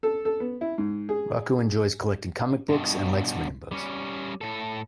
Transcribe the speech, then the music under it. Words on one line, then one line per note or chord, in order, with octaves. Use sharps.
Rocko enjoys collecting comic books and likes rainbows.
A4
A4
B3
E4
G#2
G#4
G2 B2
G3 C#4
A2 A4